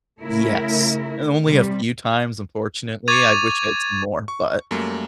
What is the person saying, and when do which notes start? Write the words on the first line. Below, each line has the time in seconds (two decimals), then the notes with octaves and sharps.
Yes, and only a few times, unfortunately, I wish I'd seen more, but
0.22 C#3 A3 E4 A#4
1.48 C3 G3
3.08 C#6 D6 G#6 A6 D#7 F7
4.28 C#6
4.71 F#2 G3 A3 A#3